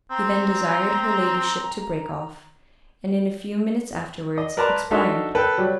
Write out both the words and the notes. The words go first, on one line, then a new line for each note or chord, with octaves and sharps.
He then desired her ladyship to break off, and in a few minutes afterwards expired.
C4 A#5
D#5
A#4 B4 D5 A5 A#5 C6
D4 D#4 F#4 A4 A#4 E5
A4 B4 G5
F#3 G3